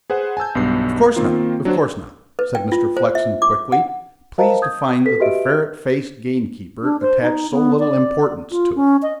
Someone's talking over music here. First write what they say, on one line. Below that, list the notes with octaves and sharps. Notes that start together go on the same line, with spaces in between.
"Of course not, of course not," said Mr. Flexen quickly, pleased to find that the ferret-faced gamekeeper attached so little importance to it.
G#4 B4 C5 F#5
G#5 A5 E6 G6
B1 G2 B3 C7
D#3 A#3 C4 F4
F#3 D4 F#4 C5
B4
G5
F4
C5
E5
D6
F#5
A#4 C5 D#5 F5 A5 A#5
D#6 G6 G#6
A4 B4 B6
F#4 G4 B4 D#5 E5 D7
D4
C5
D#4
B3
D5
F4
C#4
D#5